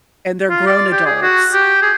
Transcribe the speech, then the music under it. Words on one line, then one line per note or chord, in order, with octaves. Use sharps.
and they're grown adults.
F4
D5
G4
G#4
F#4
G4
G#4